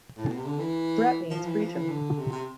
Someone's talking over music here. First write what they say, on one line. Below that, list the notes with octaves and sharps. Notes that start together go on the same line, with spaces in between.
"Bret" means 'Breton'.
A2
B2
C3
D3
E3
F3
E3
F3
E3
D3
C3
C3